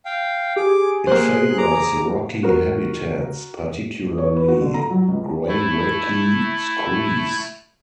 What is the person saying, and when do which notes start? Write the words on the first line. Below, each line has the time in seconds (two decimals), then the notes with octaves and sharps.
It favours rocky habitats, particularly greywacke screes.
0.05 F5 G5
0.56 G4 G#4 D6
1.07 A#3 C5 C6 F#6
1.58 A#5 D6
2.43 F#4 A#4
4.18 C#5
4.36 B4
4.48 F#4
4.61 D3
4.74 A#5
4.90 F#3
5.08 C#2
5.48 A3 E4